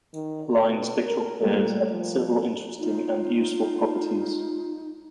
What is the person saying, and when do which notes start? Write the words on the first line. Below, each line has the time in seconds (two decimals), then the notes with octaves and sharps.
Line spectral pairs have several interesting and useful properties.
0.13 D#3
0.60 B2
1.05 A#4
1.42 A#2 G3 A3 A#3
1.91 F3
2.79 D#4 F4